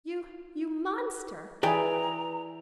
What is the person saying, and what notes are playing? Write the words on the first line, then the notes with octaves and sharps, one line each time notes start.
"You--you monster!"
E3 G#4 B4 D5 G5 A#5